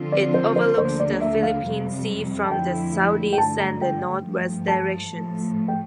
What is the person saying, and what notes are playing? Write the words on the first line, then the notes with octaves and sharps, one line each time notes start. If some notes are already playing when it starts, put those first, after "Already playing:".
It overlooks the Philippine Sea from the southeast and the north-west directions.
Already playing: D3 F3 C4 F4
D5
C5
C5
D2 D3 F3 A#3 C5
D5
E5
F5
F2 C3 G3
A5
F2 D3 F3 A3 E4 G5
G5
G2 D3 A3 A5
A#5
G5
G2 F3 A3
A5
A2 F3 A3
G5